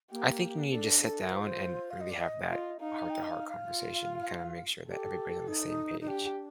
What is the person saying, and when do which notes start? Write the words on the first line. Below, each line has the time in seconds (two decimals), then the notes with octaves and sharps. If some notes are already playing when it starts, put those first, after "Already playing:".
I think you need to sit down and really have that heart-to-heart conversation and kinda make sure that everybody on the same page.
0.11 A#3 G4
0.71 D4 A4
1.01 A4
1.21 A#4
1.31 F4 C5
1.90 F5
2.00 D#5
2.10 D5
2.20 D#5
2.50 F4 D#5
2.79 D#4 F5
3.09 G5
3.22 D#5
3.30 F5
3.49 F5
3.69 F4
4.88 G4 A4
5.47 D#4
6.00 D#4
6.07 D4 G4